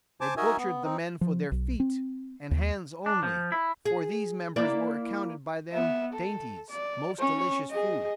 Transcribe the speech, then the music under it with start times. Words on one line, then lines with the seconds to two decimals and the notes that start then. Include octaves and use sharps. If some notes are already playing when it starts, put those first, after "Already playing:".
They butcher'd the Men for their Feet and Hands only; for these Members were accounted by them Dainties, most delicious Food.
0.21 C5 G#5 A5 D6
0.37 D#4 F#4 A#4 D#5 E5 G#5
0.58 B3
0.84 C4 D#4
1.21 F3
1.52 B1
1.80 C4
2.51 D#2
3.06 D4
3.23 F3
3.52 E4
3.85 G#4
4.56 A#3 E4 D5
5.72 B3 E5
6.13 A4
6.70 D5
7.19 C#4 C#5
7.71 G#4 D#5